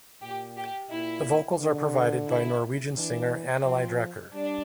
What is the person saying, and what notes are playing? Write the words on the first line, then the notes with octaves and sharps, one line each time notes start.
The vocals are provided by Norwegian singer Anneli Drecker.
A#2 G4
G4
A#2 E4
D3
E4
E3 D4
F3 C4
G3 D4